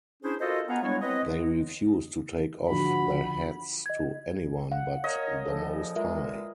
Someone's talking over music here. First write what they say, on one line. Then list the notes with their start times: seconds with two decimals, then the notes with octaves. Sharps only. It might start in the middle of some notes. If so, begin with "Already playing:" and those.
They refused to take off their hats to anyone but the Most High.
0.23 C#4 D4 E4 G#4 C5
0.41 F4 F#4 A4 A#4 C5 D#5
0.69 B3 F5 F#5 G#5 A#5
0.82 G3 G#3 B3 D4 E4 C#5
1.02 C4 E4 B4 D#5
2.69 G#2 D3 F3 D4 F#4 B5
3.86 D#5 G#6
4.72 F5 F#5
5.04 A#4 C#5 D#5
5.45 A#2 C#3 F3 A4
5.96 D3 E3 G#3 F4 A#4 E5